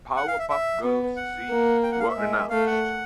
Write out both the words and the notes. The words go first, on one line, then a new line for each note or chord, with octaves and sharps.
Powerpuff Girls Z, were announced.
F#5
F5
E5
E5
B3
F#5
A#3
G5
F#5
F5
E5
G#3
A3 F5
F#5